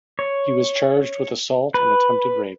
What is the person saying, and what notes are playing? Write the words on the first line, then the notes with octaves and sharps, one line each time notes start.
He was charged with assault and attempted rape.
C#5
B4